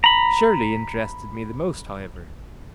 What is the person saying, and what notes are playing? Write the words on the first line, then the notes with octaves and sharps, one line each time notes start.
Shirley interested me the most, however.
A#5 B5